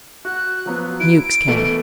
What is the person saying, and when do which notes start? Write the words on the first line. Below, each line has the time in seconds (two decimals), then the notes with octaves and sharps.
Mewks came.
0.25 F#4 F#6
0.66 F3 F#3 B3
1.00 E4 D7
1.48 B2 E3 A3